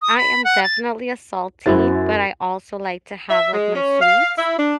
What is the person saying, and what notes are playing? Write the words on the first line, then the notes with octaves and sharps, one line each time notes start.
I am definitely a salty, but I also like to have, like, my sweets,
D#6
B5
F#5
A6
F#2 E4 F#4 C5 A6
E5
G#3
C#4
F5
E4
D4